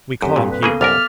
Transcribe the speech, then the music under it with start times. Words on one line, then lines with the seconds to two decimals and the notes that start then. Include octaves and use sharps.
We call heem here.
0.22 F#2 C4 F#4 G4 A4
0.36 G2 A#2
0.50 B4
0.63 C#3 A#3 B3 G#4 A4
0.81 C2 F#2 A#4 D6 F6 A6 B6